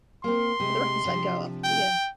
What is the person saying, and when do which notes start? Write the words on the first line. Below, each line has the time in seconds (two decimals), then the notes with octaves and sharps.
But the Rapids let him go after the year.
0.24 A#3 C4 C6
0.60 C3 G#3
1.05 C3 F3 D4
1.64 G5